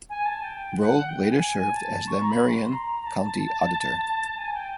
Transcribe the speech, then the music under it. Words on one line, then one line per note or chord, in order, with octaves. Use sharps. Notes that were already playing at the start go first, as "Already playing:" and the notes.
Breaux later served as the Marion County Auditor.
G#5
A5
G5
F#5
G5
G#5
G#5
A5
C#6
A#5
B5
C6
A#5
A5
G#5
G5